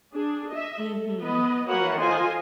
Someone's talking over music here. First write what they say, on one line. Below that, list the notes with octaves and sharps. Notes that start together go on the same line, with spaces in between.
Mhm. Yeah.
D4 G#4
D#5 E5
A4
B3 B4 D#5
A#3 F#4 A#4 B4 C#5 F#5
F4 A4 C5 D#5 G#5 C6